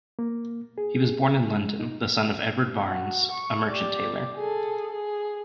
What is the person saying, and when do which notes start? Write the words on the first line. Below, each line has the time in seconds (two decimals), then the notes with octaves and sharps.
He was born in London, the son of Edward Barnes, a merchant taylor.
0.19 A#3
0.78 G#4
1.49 G#3
1.79 D#4
2.84 F#4
3.31 C#6
3.69 G4 D5
4.36 G#4 A4
4.92 G#4